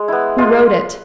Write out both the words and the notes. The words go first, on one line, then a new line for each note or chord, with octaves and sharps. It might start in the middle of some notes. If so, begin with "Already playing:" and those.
"Who wrote it?"
Already playing: G#3
B3 E4
G#3 F4